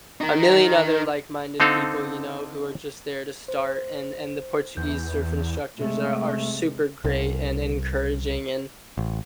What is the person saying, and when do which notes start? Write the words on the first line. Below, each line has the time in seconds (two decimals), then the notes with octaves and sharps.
a million other like-minded people, you know, who are just there to start. And and the Portuguese surf instructors are are super great and encouraging, and
0.21 D#4 A#4
1.60 D3 C4 D#4 A4 F5
3.48 C5
4.77 E2 G6
5.78 C3 G#3 A3
7.04 C2
8.98 A1